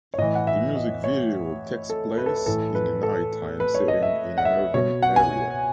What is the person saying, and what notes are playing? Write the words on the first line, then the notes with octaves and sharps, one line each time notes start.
The music video takes place in a nighttime setting in an urban area.
C#5
A2 E3 D#5
F#5
E5
D#5
C#5
A4
B4
A4
B4
A2 E3 A4
B4
A4
B4
C#5
D#5
E5
F#5
E5
B2 C#5
F#5
G#5